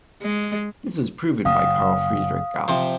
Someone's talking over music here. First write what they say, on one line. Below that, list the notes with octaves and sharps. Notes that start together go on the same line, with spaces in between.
This was proven by Carl Friedrich Gauss.
G#3
F#1 F5 D#6
C3 F3 C5